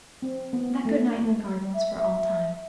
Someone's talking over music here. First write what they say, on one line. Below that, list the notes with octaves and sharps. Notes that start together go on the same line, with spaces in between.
That good night in the garden was for all time.
C4
B3
A3
E5
E5